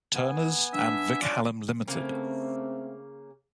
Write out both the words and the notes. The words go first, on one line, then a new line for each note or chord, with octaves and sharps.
Turners, and Vic Hallam Limited.
B3 G#5
D4 E5
C#4 D4 F4 D5
C#3 A3 A#3 C4